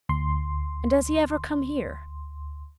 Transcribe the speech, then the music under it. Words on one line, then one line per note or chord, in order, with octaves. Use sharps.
'And does he ever come here?'
D2 C6